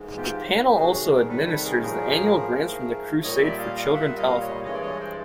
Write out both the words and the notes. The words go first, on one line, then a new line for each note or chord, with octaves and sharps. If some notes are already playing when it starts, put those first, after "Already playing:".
The panel also administers the annual grants from the Crusade for Children telethon.
Already playing: G#2 E3 G#3
F4 G4
C3 D#3 F#3 A3 F4 G4
F#4 G#4
C3 D#3 G3 G#4 A#4
A4 B4
A4 B4
G#4 A#4
A2 F3 A3 G#4 A#4
G#2 F3 A3
A#2 G3 C#5 D#5
D5 E5
D#5 F5
D#5 F5
A#2 G3 E5 F#5
D#5 F5
C#5 D#5
G2 E3 G#3 C#5 D#5
D5
C#5 D#5
C5 D5